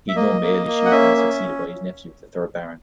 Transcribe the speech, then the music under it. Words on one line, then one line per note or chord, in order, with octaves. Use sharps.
He had no male issue and was succeeded by his nephew, the third Baron.
E5
A#3 D#5
A#3
A#3
F#5
C#4 E5
C#4